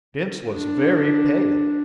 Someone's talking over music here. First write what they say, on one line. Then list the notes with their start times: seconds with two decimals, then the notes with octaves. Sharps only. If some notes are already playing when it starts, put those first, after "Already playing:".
Bince was very pale.
0.49 D4